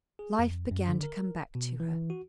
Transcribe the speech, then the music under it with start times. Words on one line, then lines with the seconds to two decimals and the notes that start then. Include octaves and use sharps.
Life began to come back to her.
0.19 G#4
0.39 F2
0.71 F#2
0.88 D3
1.03 A#4
1.55 B2
1.80 E3
2.10 F#4